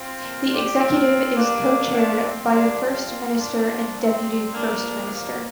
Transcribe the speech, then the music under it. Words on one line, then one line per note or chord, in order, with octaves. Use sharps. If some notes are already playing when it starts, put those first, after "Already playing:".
The Executive is co-chaired by the First Minister and deputy First Minister.
Already playing: C4 F4
A#2 F3
D4 G4
A#2 F3 C4 F4
G2 D3 F3 A#3 D4
A#2 F3 A#3 D4
C4
G2 F3 A#3 D4
C4 F4
A#2 F3
A#3 D4
A#2 F3
C4
G2 F3
A#3 D4
G2 D3 F3
A#3